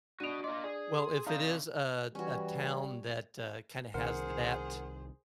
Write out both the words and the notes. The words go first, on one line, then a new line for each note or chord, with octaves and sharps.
Well, if it is a a town that, uh, kinda has that
D4 F#4 D#5 D7 D#7 F7
F4 D5 D#5 C6
G#4 D5
C6
C3 D#4 D5 F5 A#5 G6
E3 G3 C#4 F#4
C2 D#3 G#4 A#4 C5 F#5